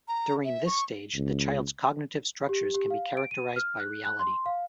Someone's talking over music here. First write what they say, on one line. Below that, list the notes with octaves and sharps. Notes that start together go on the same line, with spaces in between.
During this stage the child's cognitive structures can be characterized by reality.
A#5
E5
C#6
C#2
G4
G4
F5
D7
D#7
F6
F#6
F#6
C6
F5